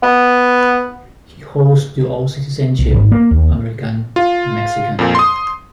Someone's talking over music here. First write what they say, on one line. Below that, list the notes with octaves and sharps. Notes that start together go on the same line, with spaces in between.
He holds dual citizenship - American and Mexican.
B3
B1
G#1
A#3
D#2
F4
F2 A#2
C6 D#6